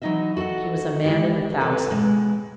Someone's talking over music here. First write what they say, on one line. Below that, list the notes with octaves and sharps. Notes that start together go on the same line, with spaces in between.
He was a man in a thousand.
E3 F#3 C4 D#4 D#5 E5
F#4 A4 D#5 F#5
G#3 E4 G4 D5
C4 A4 B4 C#5
B2 G#3